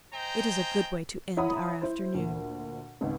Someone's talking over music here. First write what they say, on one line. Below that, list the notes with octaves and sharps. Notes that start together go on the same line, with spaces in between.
"It is a good way to end our afternoon."
C5 D#5 G5 G#5 A#5
E4 C#5 F#5 A#5 B5 D#6
E4 C5
D2 A#2
G#1 C#2